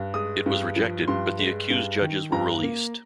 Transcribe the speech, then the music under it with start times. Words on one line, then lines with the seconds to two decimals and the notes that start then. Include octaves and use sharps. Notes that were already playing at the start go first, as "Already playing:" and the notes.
It was rejected, but the accused judges were released.
Already playing: G2
0.14 G#3 D#6
0.46 G2
0.76 F3
1.08 G2 C6
1.39 G#3
1.70 G2
2.01 D#3
2.32 G2 A#5
2.63 A#3